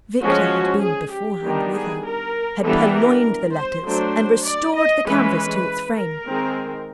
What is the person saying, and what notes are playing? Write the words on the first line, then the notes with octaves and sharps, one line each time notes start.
Victor had been beforehand with her, had purloined the letters and restored the canvas to its frame.
F3 G#3 C#4 F#4
G#4
G4
D#3 G3 B3 D4
G#4
A#4
E3 G3 B3 D4 A4
A#4
C5
F#3 A3 D4 C5
D5
D#5
E3 G#3 C#4 B4
A#4
D#3 G#3 C4